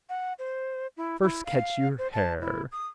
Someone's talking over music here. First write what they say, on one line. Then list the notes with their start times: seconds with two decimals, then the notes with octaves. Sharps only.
First catch your hare.
0.09 F#5
0.39 C5
0.97 E4
1.23 E4
1.45 F5
1.98 C5
2.13 A5
2.41 E4
2.72 D#6